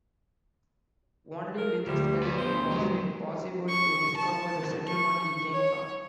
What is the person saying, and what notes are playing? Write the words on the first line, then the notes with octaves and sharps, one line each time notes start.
Only with his help was it possible to discover the settlement he came from.
A#4
D2 G3
B4 D5
D2 B3 C5
F#3 G#3
C#6
A5
C#6
C#5